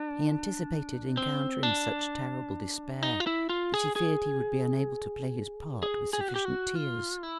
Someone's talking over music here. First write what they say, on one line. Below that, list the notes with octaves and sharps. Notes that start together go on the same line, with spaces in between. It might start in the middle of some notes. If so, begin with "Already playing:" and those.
He anticipated encountering such terrible despair that he feared he would be unable to play his part with sufficient tears.
Already playing: D4
C4
D4
D#4
F4
E4
F4
G#4
G#4
G#4
G#4
G4
F#4
G4
F#4
F4
E4